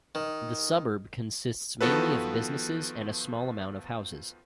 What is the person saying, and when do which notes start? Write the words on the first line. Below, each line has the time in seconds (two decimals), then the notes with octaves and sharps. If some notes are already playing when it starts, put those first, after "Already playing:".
The suburb consists mainly of businesses and a small amount of houses.
0.15 D#3
1.81 D#3 F3 B3 F#4 A4 B4